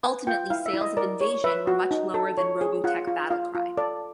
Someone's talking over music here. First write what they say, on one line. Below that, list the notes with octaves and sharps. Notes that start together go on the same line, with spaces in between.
Ultimately sales of Invasion were much lower than Robotech: Battlecry.
B4 G#5
F4 G5
E4 F5
E5
E4
D#5
A#4 D5
C#5
B4 E5
F#4
D#4
A4
C#5
G#4
F4 F#5
F4
F4 F5
F4
A4 D5